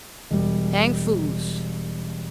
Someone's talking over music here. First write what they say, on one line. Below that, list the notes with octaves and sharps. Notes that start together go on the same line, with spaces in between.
Chang Foo's!
E1 G3